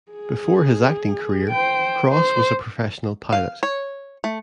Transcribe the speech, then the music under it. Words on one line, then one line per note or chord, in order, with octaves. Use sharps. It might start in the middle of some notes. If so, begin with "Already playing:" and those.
Before his acting career, Cross was a professional pilot.
G#4
C5 G5
C5
F5
C#5
A3